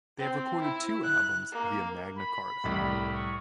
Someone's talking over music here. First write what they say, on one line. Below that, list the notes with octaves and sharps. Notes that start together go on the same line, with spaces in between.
They have recorded two albums via Magna Carta.
C4
E4
F#6
A#3
B5
C2 A2
C#6